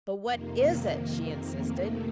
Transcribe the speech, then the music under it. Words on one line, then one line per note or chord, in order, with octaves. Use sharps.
"But what is it?" she insisted.
F2 C3 D#3 A#3
F2 C3 D#3
A3